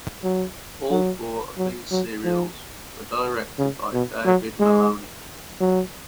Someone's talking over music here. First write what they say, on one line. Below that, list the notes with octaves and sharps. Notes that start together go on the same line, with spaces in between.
All four of these serials were directed by David Maloney.
F#3
F#3
F#3
F#3
F3
C#3
B2
F#3
G#3
F#3